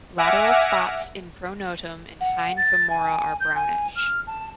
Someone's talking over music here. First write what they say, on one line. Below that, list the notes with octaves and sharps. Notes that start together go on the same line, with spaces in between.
Lateral spots in pronotum and hind femora are brownish.
E5 F#5 G#5 D6 F6 A#6
F#5
A6
G#5
G6
G#5
F6
A5